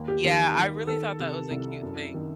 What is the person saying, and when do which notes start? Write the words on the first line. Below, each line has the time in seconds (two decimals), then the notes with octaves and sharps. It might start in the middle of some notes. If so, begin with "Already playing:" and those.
Yeah, I really thought that was a cute thing.
Already playing: D#2
0.08 G4
0.24 D#3
0.56 D#3
0.87 D#3 A4
1.19 C3
1.50 C2
1.82 F#2
2.14 D#3